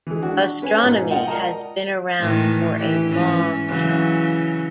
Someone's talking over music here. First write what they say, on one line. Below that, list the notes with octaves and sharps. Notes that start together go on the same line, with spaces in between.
Astronomy has been around for a long time.
E3 G#3
D4 F#4
C#4 B4 C#5 G#5
G#2 B2 D#4
F4 D#5 F#5 G5
A#4 D5 D#5 A5 A#5
A2 D#3 E3
E3 G4
G#2 E3 C#4
C#3 E3 F#3